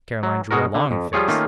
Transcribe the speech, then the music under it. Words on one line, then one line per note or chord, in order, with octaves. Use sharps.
Caroline drew a long face.
F#3
B2 G#3 F#4 A#4
D3
F2
F3 G3 F4 G#4 C#5
D#3 A3 A#3 C#4 F4